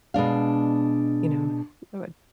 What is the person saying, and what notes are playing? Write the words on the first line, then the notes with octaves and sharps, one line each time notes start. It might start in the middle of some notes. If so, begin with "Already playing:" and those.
You know, that would
B2 G#3 D4 F5